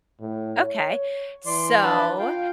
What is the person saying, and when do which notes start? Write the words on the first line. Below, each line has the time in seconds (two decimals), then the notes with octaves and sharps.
Okay. So,
0.20 A2
0.59 C#5
1.46 E3 D5 C6
1.82 D4 B4 A5
2.19 F4 F5 G5